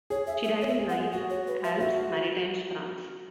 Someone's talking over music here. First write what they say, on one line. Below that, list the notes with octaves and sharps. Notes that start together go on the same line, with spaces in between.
She died in Nice, Alpes-Maritimes, France.
G#4 C#5
E5
E5
C#5
E5
G#4
F#5
F#4 F#5
C#5
B4
E5
F#4 E5